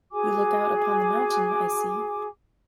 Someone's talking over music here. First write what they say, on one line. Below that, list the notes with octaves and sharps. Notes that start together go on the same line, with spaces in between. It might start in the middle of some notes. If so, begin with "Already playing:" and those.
You look out upon the mountain, I see.
F#4 G#4 G#5 D6